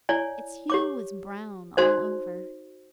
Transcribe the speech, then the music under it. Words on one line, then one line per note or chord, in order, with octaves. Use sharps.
Its hue was brown, all over.
E4 C#5 D5 G#5
G4 C#5 D6
D#4 F#4 C5 D5